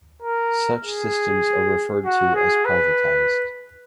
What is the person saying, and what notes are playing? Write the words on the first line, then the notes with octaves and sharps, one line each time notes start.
Such systems are referred to as 'privatized.
A#4
G#4
F#4
G#4
B4